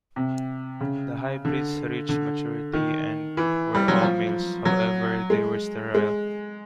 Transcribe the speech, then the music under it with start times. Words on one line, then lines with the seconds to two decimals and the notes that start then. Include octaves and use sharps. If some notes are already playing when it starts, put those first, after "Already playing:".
The hybrids reached maturity and were all males, however they were sterile.
0.16 C3
0.80 C#3
1.45 D3
2.09 D3
2.73 D#3
3.37 E3
3.75 G3
3.88 F#3
4.02 F3
4.65 F#3
5.30 G#3
5.94 G#3